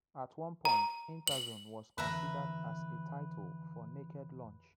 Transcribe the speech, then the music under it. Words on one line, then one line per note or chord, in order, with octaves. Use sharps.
At one point, Interzone was considered as a title for "Naked Lunch".
A#5
F#7
F2 D3 E3 B4 E5 A#5